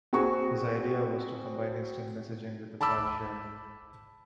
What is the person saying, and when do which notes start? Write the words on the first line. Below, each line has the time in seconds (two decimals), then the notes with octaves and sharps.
His idea was to combine instant messaging with file sharing.
0.13 C4 F#4 G#4 C#6
2.81 A5 B5 D6 E6